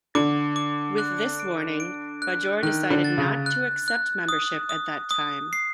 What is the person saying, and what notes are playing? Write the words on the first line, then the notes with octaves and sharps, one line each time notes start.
With this warning, Bajor decided not to accept membership at that time.
D3 D6
D6
F#6
D7
D7
F#6
D#3 F#6
D3
A6
C#3
F#6
F#6
D#6
D#6
D#6
C7